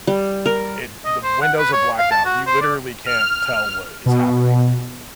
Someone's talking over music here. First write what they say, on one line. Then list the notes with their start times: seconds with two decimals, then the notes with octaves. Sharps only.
it the windows are blacked out, you literally can't tell what is happening,
0.07 G3
0.46 A#4
1.05 D#5
1.23 C5
1.41 F#5
1.58 B4
1.72 C#5
1.98 F5
2.11 A5
2.25 F#4
2.47 C5
2.61 D5
3.06 F6
4.06 B2